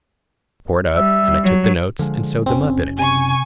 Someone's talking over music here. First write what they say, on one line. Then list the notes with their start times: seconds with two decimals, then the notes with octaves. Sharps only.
I tore it up, and I took the notes and sewed them up in it.
0.96 G3 E5
1.44 F#3
1.99 D3 F3 G#3
2.46 F#1 B2 C4 C#4
2.99 C3 G#5 C#6